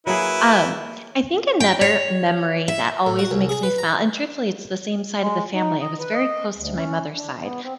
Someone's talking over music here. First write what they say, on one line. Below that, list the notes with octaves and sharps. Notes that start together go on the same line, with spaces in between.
Um, I think another memory that always makes me smil and truthfully, it's the same side of the family, I was very close to my mother's side,
F#3 A#3 E4 G#4 B4
G5
C#5
E5
A2
F#4
C2
G#4
B4
A#5
G#3
D#4
D#5
B4
D#5
D2
C#4
D4
B3
C4